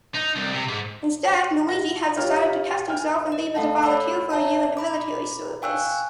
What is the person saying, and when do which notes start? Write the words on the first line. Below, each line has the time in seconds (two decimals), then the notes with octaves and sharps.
Instead Luigi has decided to test himself and leave as a volunteer for a year in the Military service.
0.15 D#4
0.36 C2
0.54 C3
0.69 G#2
1.68 F#5 A#6
2.17 F4 G4 C#5 F6
2.88 G5 G#5 F6
3.32 D#5
3.55 A3 A4 F5 F#5 A5
3.82 C#5 F#5 B5 E6
4.30 C#5 E5 A5 A#5
4.77 A#5 B5 D6
5.62 F5 G5 G#5 C#6 E6 F#6